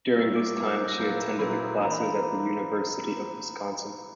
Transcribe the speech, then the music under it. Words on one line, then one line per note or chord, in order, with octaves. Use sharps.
During this time she attended the classes at the University of Wisconsin.
G3 A#3 E4 A#4 C#5 E6
D6
G3 A#3 E4 A#4 C#5 D6
F#6
G6
A#6
A#2 F#3 A#3 E4 B4 G6
A#5
A#2 F#3 A#3 E4 B4 B5
E3 A#3 D4 A#5
B5
A#5